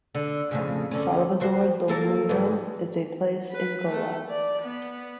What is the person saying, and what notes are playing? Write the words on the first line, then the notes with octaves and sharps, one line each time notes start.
Salvador Do Mundo is a place in Goa.
D3
F2 A2 C#3
F#2 D3 C#4
D#2 F#4 C5
A#3 A4 A#4
D2 G#2 B3
B4
A3
D5
B3